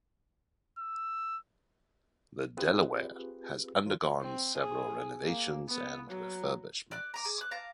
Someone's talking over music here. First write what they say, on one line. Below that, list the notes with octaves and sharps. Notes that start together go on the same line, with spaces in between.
The "Delaware" has undergone several renovations and refurbishments.
E6
C4 F4 G4 G#4 B4
D#3 F#3 F4
C4
G#4
A#3
B3
F#3
D5 D6 F#6
A#5 D6
G#4 D6
D6 F#6
F5 A5 A#5 D6